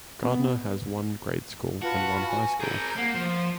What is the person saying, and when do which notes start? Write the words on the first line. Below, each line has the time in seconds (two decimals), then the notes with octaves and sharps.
Gardner has one grade school and one high school.
0.23 B3
1.82 F4 F#4 B4 A5
2.28 G#5
2.60 G#4 A#4 A#5 G6 G#6
2.97 A#3 F#5
3.15 F3
3.28 C6